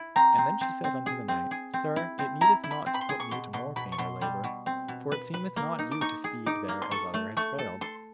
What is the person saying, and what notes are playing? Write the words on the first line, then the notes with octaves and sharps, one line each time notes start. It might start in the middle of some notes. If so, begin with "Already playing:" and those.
And then she said unto the knight, Sir, it needeth not to put me to more pain or labour, for it seemeth not you to speed there as other have failed.
Already playing: E4
C4 A#5
C4
C4
C4
G#4
C4
G#4
C4
E4
C4
E4 A#5
E4
B5
C4
B5
C6
G#4
C#6
B2 C6
B2 C6
B2 B5
C#6
B2 C6
G3
B2
C4
B2
B4
B4
A#3
D#4
D6
D#4 C#6
G#4
D#4 D6
A#3
C6
A4 C#6
A3
A3 C#6
A4
A4 C6